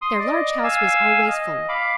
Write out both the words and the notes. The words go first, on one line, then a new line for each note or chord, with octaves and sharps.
Their large house was always full.
C6 D#6
D5 D#5
F5 G#5 E6
D#5
F5 B5 D6